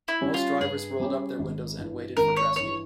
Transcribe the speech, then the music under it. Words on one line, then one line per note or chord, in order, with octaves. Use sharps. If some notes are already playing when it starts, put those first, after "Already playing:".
Most drivers rolled up their windows and waited for rescue.
E4
G3 C#4 G4 C#5
F4
G2 G#4
G3 C#4 G4 C#5
G#1
G2 E3
G#1 A#4
C#5
G2 E3 C#5